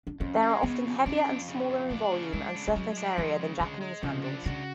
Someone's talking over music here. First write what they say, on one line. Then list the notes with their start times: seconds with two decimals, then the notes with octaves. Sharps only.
They are often heavier and smaller in volume and surface area than Japanese handles.
0.07 D4
0.20 F2 C#4
0.42 G#3
0.63 C#3 B3
0.84 F2
1.06 C#4 D4
1.27 F2
1.48 C#3
1.69 F2
1.90 A3 D4
2.12 C#3
2.32 G#3 D4
2.55 C#3
2.68 F3
2.76 F#3 G#3
2.97 D4
3.17 F3 G#3
3.40 C#3
3.60 D3 G#3
3.81 G#3
4.02 C#3 F3
4.24 D4
4.45 C#3 F#4